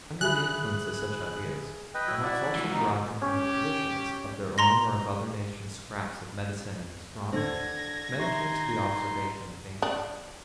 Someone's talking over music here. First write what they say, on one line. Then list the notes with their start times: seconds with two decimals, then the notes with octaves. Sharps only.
Under the influence of such ideas, perhaps also deriving from the traditions of their own or of other nations scraps of medicine and astronomy, men came to the observation of nature.
0.21 D3 G#4 E5 B5 F#6
1.94 B4 D#5 G5
2.07 F#3 E4
2.23 F#4 D5
2.55 C#2 E3
2.73 D#4
3.22 C#4 G4
4.58 A#5 C6 A#6
7.33 D3 D4 A4 C5 G#6 A#6
8.19 D#4 G4 E5 C6
9.82 D4